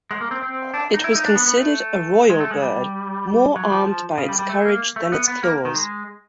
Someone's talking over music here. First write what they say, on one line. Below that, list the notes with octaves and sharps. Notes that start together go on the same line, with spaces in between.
It was considered "a royal bird, more armed by its courage than its claws".
G#3
A#3
C4
C4
D4
D#4
E4
D#4
D4
B3
B3
A3
G#3
A3
G#3
G3
F#3
F3
F3
C#3
G3
G3
A3
A#3
A3
B3
B3
A#3
D#3
G#3